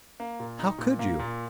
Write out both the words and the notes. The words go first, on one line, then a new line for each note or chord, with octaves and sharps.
"How could you?"
A#3
A#2
D#4
A#2
A#3
A#2